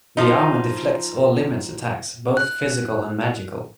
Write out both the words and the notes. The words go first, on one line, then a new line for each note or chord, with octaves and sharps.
The armor deflects or limits attacks, both physical and magical.
F3 D#4
F#6